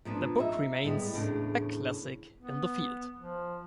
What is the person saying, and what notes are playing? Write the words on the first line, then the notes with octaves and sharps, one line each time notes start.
The book remains a classic in the field.
A#2 F3 B3 D4
D#4 E5
A2 G3 G#3 B3
E2 A2 C#3 D4
B3
F3